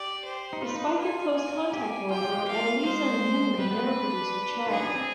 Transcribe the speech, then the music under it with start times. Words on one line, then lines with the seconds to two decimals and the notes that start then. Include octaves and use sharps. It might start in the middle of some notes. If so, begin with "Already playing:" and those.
Despite their close contact, however, Adeliza and Henry never produced a child.
Already playing: G4 D5
0.24 C5
0.53 D#4
0.62 F4 B4
0.75 D#4
0.87 F4
0.99 G#5
1.36 G#5
1.73 G4 G#5
2.10 F4 G5
2.17 G4
2.25 F4
2.32 G4
2.39 F4
2.46 G4 F5
2.53 F4
2.84 G#3 C5
3.59 G3 B4
3.71 B3
3.84 C4
3.96 D4
4.67 F4
4.70 D#4 G#4
4.83 D4
4.95 C4